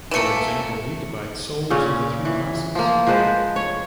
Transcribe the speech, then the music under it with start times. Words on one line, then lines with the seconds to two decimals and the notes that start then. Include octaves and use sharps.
For example, he divides souls into three classes.
0.11 E3 A3 A#3 C#7 E7
1.70 A#2 C#3 C#4
2.25 E3
2.75 F3 A#3
3.07 F3 G#3 B4 C5
3.56 C#5